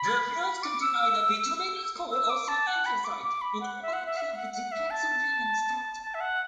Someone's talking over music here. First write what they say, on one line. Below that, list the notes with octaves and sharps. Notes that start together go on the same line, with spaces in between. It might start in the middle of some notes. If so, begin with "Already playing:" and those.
The fields contain either bituminous coal or semi-anthracite, and all occur within Pennsylvanian strata.
Already playing: B5
B5
D6
E6
E6
D6
A5
F#5
B5
D6
D6
B5
F#5
E5
F#5
E5
F#5
E5
F#5
F#5
E5
A5
A5
E5
F#5